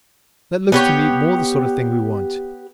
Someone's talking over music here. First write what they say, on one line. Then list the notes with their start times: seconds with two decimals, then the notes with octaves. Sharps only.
That looks to me more the sort of thing we want.
0.72 B3 G4 C#5